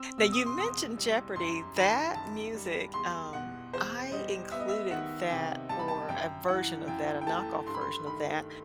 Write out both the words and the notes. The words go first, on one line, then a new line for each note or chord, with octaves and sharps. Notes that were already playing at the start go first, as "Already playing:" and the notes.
Now you mentioned Jeopardy, that music, um, I included that or a version of that a knockoff version of that,
Already playing: C4 E6
B2 E6
D#6
C6
E2 D#6
G3
F#2 C6
D#3 B5
F#2 A5
G3
E2 C6
B2 F#5
E2 C5
G3 D#5
B3 E5
D#5
E5
D#3 F#5
C3 G5
G3 A5
B5
A5
F#2 G5
E3 F#5
F#2 G5
G5
A3 A5
G2 C6
B5
C6
D#3 B5